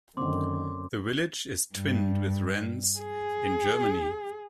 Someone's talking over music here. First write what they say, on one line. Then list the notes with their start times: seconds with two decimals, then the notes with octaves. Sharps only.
The village is twinned with Rhens, in Germany.
0.17 F#2 D3 D#3 A#3 C4 C6 D6
1.75 G2
2.99 G#4